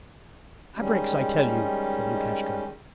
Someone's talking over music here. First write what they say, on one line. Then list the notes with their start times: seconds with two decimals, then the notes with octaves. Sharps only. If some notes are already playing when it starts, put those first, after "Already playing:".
'Abreks, I tell you!' said Lukashka.
0.75 D#3 G3 G#3 C#4